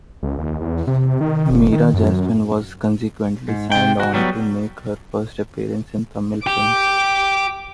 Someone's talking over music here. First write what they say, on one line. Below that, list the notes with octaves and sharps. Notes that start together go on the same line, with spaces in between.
Meera Jasmine was consequently signed on to make her first appearance in Tamil films.
C#2
D#2
E2
C3
D#3
F1
D#3
F#2
G#2
C3 G5
F#4
F#3 G3 B3
G4 D6